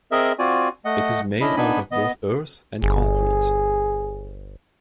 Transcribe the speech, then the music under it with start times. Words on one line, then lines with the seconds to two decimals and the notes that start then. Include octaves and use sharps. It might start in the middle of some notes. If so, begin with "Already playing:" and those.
It is made out of both earth and concrete.
0.12 C4 G#4 A#4 D#5 E5
0.39 C4 F4 F#4 D5 G#5
0.85 A3 D#5 F#5
1.41 C#4 D4 E4 D#5 B5
1.57 B3 D4 D#4 G#5 B5
1.92 B3 D#5
2.82 G1 G#4